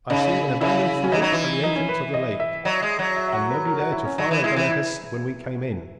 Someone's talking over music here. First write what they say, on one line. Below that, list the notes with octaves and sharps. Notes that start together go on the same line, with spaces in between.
I see an abandoned fort at the entrance of the lake, and nobody there to fire a gun at us when we came in.
C#3 D#4
C#3 E4
C#4
E3 D#4
F#3
E3
D#4
C#4
B4
D#5
E5
F#3 D#5
G#3
F#3
E5
E5
F#5
B4
A#4
F#4
E4
C#4
F#3 D#4
E3
G#3 E4
E3
E4